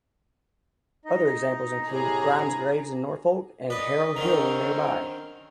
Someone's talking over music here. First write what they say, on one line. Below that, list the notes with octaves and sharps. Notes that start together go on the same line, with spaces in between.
Other examples include Grimes Graves in Norfolk, and Harrow Hill nearby.
D#4 D#5
A2 C3 G#4 A#5
B4 D5 D#5
D3 D#3 C4 C#4 A#5